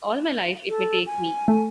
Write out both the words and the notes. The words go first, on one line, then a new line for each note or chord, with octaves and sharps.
All my life it may take me!
A4
G#5
A3